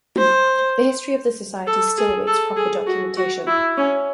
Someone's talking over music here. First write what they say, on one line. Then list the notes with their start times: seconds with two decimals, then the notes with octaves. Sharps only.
The history of the society still awaits proper documentation.
0.18 C5
1.67 A4
1.98 G#4
2.27 A4
2.57 G#4
2.87 F#4
3.17 F#4
3.47 E4
3.77 C#4